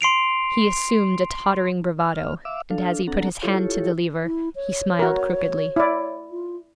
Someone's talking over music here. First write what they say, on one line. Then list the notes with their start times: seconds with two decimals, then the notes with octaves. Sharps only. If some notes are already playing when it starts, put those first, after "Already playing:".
He assumed a tottering bravado, and as he put his hand to the lever, he smiled crookedly.
0.01 C6 C7 D7 F7
1.99 F6
2.45 E5 F5 D6 E6
2.70 D4 A4 F5
3.07 C4 D4 A4 F#5 A#5
3.42 E4 F4 G4 A4 C#5
4.23 E4
4.56 C#5
4.99 F#4 A#4
5.76 E4 D5
6.31 F4